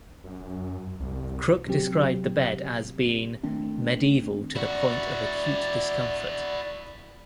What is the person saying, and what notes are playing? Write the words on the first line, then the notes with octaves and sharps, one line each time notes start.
Crook described the bed as being "medieval to the point of acute discomfort".
F#2
C2
C3 F#3 C4 G4
D#3 A3 C4 D4
E4 F#4 D5